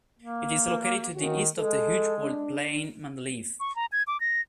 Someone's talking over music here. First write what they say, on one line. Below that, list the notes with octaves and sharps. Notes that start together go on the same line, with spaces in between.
It is located to the east of the huge walled plain Mendeleev.
A#3
D#3 A#3 C#4 F#4
G#3 A4
D4
C#6
A#5
G#6
D6
A#6